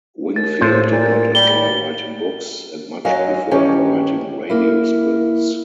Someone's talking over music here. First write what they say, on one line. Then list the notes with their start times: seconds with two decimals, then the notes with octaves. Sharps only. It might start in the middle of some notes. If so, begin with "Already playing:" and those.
Wingfield did not enjoy writing books, and much preferred writing radio scripts.
0.36 D#2 A6
0.61 A2 F3 C5
0.92 A#2
1.35 G3 G7
3.05 F#2 F#3 D#5 F5 G#5
3.51 G2 D#3 E3 C#4 G4 C#5
4.50 A#3 E4